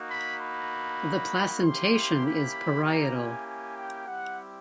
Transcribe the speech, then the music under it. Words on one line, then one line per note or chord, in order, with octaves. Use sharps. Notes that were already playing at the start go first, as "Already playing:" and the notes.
The placentation is parietal.
Already playing: A#3 D#4 F#4
B5
B5
A#3 C#4 E4 G4 C6
B5
A#5
G#5
G#5
G5
G3 C4 E4 G4 F#5